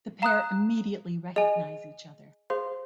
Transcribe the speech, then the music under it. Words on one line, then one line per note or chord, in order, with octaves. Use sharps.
The pair immediately recognise each other.
F5 A#5 D#6 F#6
G#4 D#5 G#5
G#4 C5 F5 C6